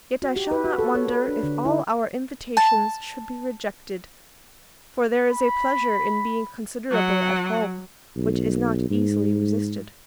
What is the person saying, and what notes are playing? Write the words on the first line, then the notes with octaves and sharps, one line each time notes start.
Yet I shall not wonder if all our invitations should be rejected: for there is a pleasure in being considerable at home, which is not easily resisted.
F#4
G4
B4
F#4
A4
C#5
B4
D4
D3
E4
A5
B5
F#3 F#5
B1
G#2